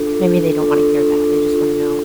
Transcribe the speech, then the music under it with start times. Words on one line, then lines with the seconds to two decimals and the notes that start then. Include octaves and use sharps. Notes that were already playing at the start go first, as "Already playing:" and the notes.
maybe they don't wanna hear that, they just wanna know,
Already playing: D4 F4 A4
0.59 D4 F4 A4
1.53 D4 F4 A4